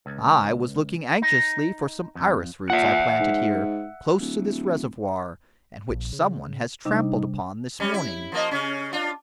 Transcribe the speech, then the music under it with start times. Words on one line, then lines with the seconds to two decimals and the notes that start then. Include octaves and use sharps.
I was looking anxiously for some iris roots I planted here, close to this reservoir, and which some one has trampled upon this morning.
0.06 C#2
1.22 D#4
2.15 F2
2.70 A#2 E5 F#5
3.20 G#2
4.20 D1
5.89 A#1
6.13 C#3
6.85 C3 G3 D4 D#4
7.80 G3 C#4
7.94 E4
8.32 F3 A#3 D#5
8.51 C#3 C#4
8.93 D4 F4